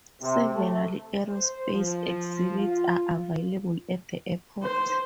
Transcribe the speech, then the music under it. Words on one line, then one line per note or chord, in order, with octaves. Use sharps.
Several aerospace exhibits are available at the airport.
C3
A3
C5
F3
F4
C5